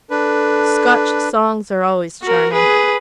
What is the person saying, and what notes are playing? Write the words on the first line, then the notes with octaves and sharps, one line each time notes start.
Scotch songs are always charming.'
D4 A4 B4
F#4 A#4
G#4 B4